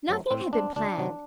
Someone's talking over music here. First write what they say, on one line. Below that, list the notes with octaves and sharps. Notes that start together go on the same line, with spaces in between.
Nothing had been planned.
F#2 F#3 A3 C4
A2 C4
G3 C4 D4
D2 D4
C3 F#3 C4